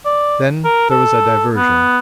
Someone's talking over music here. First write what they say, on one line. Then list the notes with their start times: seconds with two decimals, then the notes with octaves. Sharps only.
Then there was a diversion.
0.05 D5
0.64 A#4
0.90 A4
1.56 B3